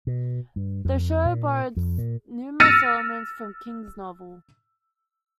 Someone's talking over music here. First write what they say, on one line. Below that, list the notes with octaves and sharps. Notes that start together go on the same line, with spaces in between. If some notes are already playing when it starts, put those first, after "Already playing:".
The show borrowed numerous elements from King's novel.
B2
G2
F2
A#2
F2
A#2
E6 F6 A6 A#6 C#7 D#7